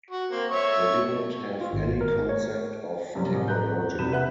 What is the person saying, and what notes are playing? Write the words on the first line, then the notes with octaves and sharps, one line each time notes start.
They do not have any concept of technology.
F#4
A#3 C4
C#5 E5 C#6
F4
G#1
A#4
C#5
F#2 C3 F3 G3 C#4
A1
B4 A#5 F#6 G6
E2
E1 C3 B5 G6 E7
B4 E5 F#5 F#6